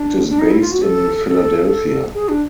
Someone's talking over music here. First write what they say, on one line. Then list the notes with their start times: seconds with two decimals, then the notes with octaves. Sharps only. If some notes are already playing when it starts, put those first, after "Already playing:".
It is based in Philadelphia.
Already playing: D4
0.29 D4
0.39 D#4
0.50 E4
0.61 F4
0.72 F#4
0.83 A4
1.27 A4
2.14 G#4
2.29 D4